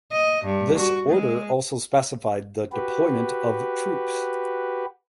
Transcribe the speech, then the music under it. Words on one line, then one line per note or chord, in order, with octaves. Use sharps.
This order also specified the deployment of troops.
D#5
G2
F#4
G#3
F#4 G4 B4